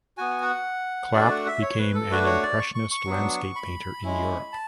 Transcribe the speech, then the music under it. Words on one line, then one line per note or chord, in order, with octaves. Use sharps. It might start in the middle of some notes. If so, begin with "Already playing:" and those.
Clapp became an Impressionist landscape painter in Europe.
B3 F#4 G#5
F#5
A3 D4 F#4 D5
F#5
E5
C#5
B4
A4
A3 D4 F#4 B4
C#5
D5
C#6
C#6
C#6
F#3 B3 D4
B5
G#3 C#4 E4
A5